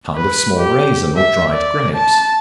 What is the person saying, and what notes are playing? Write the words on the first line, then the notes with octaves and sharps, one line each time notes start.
A kind of small raisins or dried grapes.
B4
G4
E5
D5
A5